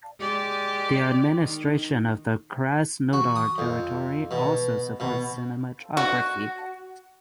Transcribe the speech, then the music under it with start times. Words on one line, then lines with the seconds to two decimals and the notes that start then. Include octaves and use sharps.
The administration of the Krasnodar Territory also supports cinematography.
0.19 G#3 G4 D5
1.38 D#3
3.13 F#4
3.36 D#6
3.58 F2
4.31 B2
5.00 B2
5.97 F#4